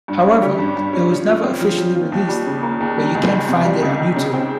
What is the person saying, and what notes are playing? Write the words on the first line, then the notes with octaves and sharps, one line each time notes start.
However, it was never officially released, but you can find it on youtube.
G2
C#4
G3
G2
G2
C#4
F3
F4
C4
F3
F3
F4
D#2
G3
C#3
A#3
D#2
G3
C#2
D#3
C3
G3
C#2
D#3
C#3
C4